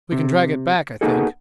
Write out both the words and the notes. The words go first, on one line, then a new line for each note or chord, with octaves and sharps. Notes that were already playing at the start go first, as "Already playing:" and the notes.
We can drag it back, I think.
C3
A#3 B3 D#4 F#4 G#4 A4